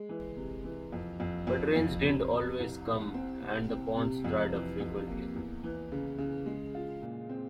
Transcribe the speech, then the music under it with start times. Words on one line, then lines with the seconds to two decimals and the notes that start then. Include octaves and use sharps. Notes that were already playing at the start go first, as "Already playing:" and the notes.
But rains didn't always come, and the ponds dried up frequently.
Already playing: G#3
0.09 E3
0.36 C3
0.64 E3
0.92 F2
1.20 F2
1.47 F2
1.76 F2
2.03 C3
2.31 C3
2.59 C2
2.87 C2
3.14 C4
3.42 C3
3.69 C4
3.97 C3
4.25 F2
4.53 E3
4.80 F2
5.08 A#3
5.35 E2
5.64 E3
5.92 C#3
6.18 C#3
6.46 G#3
6.75 F4
7.02 A#2
7.29 C4